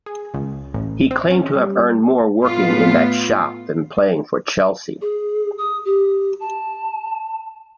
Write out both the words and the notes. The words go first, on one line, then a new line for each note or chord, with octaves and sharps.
He claimed to have earned more working in that shop than playing for Chelsea.
G#4
C#2
A1
C4
C#4
G3
A2 B3 F4
G#4
D#6
G4
A5